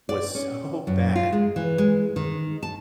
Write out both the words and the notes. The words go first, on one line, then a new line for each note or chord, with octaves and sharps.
was so bad,
D5
C#4
F#2
F4
G#3
E3
G#3
D#3
A5